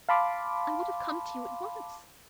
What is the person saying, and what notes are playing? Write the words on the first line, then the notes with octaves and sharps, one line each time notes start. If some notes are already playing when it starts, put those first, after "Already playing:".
I would have come to you at once.
F5 A5 B5 C6 D6